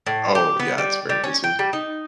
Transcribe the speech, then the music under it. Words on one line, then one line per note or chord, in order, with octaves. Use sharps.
Oh, yeah, it's very busy.
A2
G4
B3
G3
G3
C#4
G5
G3
D#4